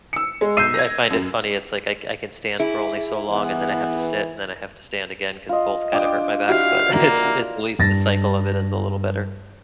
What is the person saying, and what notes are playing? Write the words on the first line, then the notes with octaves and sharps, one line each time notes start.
yeah, I find it funny, it's, like, I c I can stand for only so long, and then I have to sit, and then I have to stand again, 'cause both kinda hurt my back, but it's it's at least the cycle of it is a little better.
E6 C#7
G#3
B1 E6 G6 C7 D#7
G#6 A#6
F#2
E4 G#4
E3 B3
F4 D#5
D4 F4 G5 D6 D#6
E4 F#4 G4 F5
A#3
G2 A6 A#6